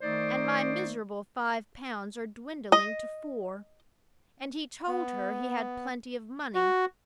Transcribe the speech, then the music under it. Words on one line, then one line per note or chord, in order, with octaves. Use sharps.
And my miserable five pounds are dwindling to four! And he told her he had plenty of money!
D#3 A3 D#4 C5 D5
D#5
B3
F#4